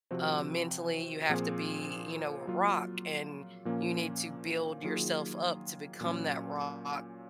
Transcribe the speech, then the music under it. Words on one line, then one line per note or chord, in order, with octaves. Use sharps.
um, mentally. You have to be, you know, a rock, and you need to build yourself up to become that rock
C3 F3 C4 F#4
A#2 F3 C4 F4 G#4
F#3 A#3 F4
A#2 F3 A#3 C#4
D#3 F#3 A#3 F4 G#4
A#2 F#3 A#3 C#4